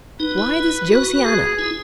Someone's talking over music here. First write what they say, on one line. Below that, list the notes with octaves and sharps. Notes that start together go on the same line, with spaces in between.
Why this Josiana?
D#4 B4
E4
F#4
G#4
E4